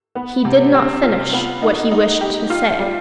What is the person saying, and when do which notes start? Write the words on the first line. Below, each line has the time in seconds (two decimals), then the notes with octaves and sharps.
He did not finish what he wished to say.
0.15 B3
0.45 C3
0.74 C4
1.03 F4
1.33 B3
1.62 D#4
1.91 D#4
2.21 G4
2.50 F4
2.79 G3